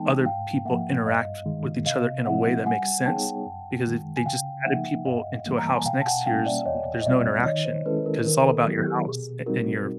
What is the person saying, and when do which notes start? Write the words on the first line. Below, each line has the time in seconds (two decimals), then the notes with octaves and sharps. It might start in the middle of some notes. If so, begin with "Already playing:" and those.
other people interact with each other in a way that makes sense, because if they, just, added people into a house next yours, there's no interaction, 'cause it's all about your house a and your
Already playing: E3 G#3 B3 D#4 G5 A5
0.26 G#2 F5 G5
0.65 F3 A#3 E5 F#5
1.06 G2 D#5 F5
1.46 D#3 G#3
1.86 C3 D#5 F5
2.26 F3 G#3 C4 E4 E5 F#5
2.66 G3 F#5 G#5
3.06 B3 D#4 G#4 C#5 G5 A5
3.46 F#2
3.86 D#3 G#3
4.17 G#5
4.26 C#3 F5 G5
4.66 F3 A#3 D#4 E5 F#5
5.06 G2 D#5 F5
5.46 E3 G3 A#3
5.58 A#5
5.67 A5
5.76 G#5
5.85 B2 F5 G5
6.01 A5
6.05 F#5 G#5
6.26 G3 A#3 C#4 F5 G5
6.46 D5 E5
6.66 E2 C#5 D#5
7.02 D#5
7.06 B2 G3 C4 F4 D5 E5
7.45 D#3 C#5 D#5
7.65 C5
7.86 G#3 C#4 E4 A4 B4
8.06 A#4
8.26 D#3 A#4
8.47 A4
8.67 F#3 B3 E4 G4
8.86 G4
9.06 B2 G#4
9.46 G3 C4 D#4 F#4 A#4